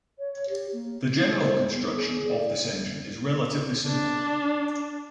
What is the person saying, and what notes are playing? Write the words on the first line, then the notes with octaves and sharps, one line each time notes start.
The general construction of this engine is relatively simple.
C#5
G4
A#3
C#4
C5
B3
G#4
D5
D4